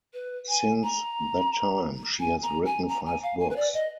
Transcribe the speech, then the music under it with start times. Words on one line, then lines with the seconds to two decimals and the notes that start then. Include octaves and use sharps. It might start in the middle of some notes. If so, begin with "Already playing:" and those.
Since that time, she has written five books.
0.14 B4
0.49 G#5
0.83 A#5
2.20 G#5
2.43 A#5
2.65 G#5
2.88 A#5
3.06 G#5
3.23 F5
3.40 G#5
3.50 B4
3.56 D5
3.74 D#5